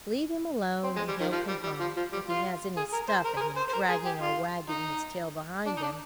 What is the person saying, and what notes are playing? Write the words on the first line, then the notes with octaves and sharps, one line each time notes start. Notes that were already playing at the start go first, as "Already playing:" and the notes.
Leave him alone and he'll come home, if he has any stuff in him, dragging or wagging his tail behind him.
C4
G#3
G3
D#3
F3
G3
G3
F3
F3
G3
F4
G#4
A#4
C5
A#4
G#4
A#4
C5
C5
A#4
G#4
G4
F4
D#4
D4
D#4
D4